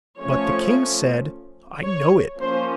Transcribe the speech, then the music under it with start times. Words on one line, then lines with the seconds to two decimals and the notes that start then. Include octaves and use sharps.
But the king said, 'I know it.
0.20 F3 A3 C#4 C#5
1.84 C#5
2.40 F3 A#3 C#4 C5